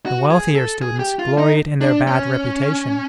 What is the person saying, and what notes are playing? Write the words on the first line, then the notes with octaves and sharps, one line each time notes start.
The wealthier students gloried in their bad reputation.
F#4
G#4
A4
G#4
G4
F4
D#4
D4
C#4